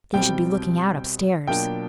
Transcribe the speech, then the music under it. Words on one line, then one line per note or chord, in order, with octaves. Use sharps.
"If they should be looking out upstairs!"
C2 B2 G3 C4 G5
B2 F#3 A#3 D4 F4 G5